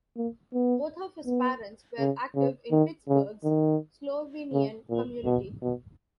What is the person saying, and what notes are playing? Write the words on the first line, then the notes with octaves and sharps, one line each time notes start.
Both of his parents were active in Pittsburgh's Slovenian community.
A#3
B3
B3
C#3
C#3
D#3
C#3
D#3
C#3
A#2
B2
B2